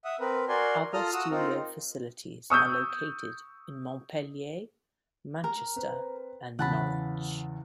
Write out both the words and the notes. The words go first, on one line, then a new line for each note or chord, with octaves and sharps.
Other studio facilities are located in Montpelier, Manchester and Norwich.
E5 F#5 D#6
C4 A#4 B4
F#4 A#4 D5 G#5 C6
F4 A4 A#5 D#6 F6
F#4 D#6 E6
C4 D#4 F4 A#4
C#6 D#6 E6 G6
A#4
C4 B4
E2 C#3 E3 F#5 A5 B5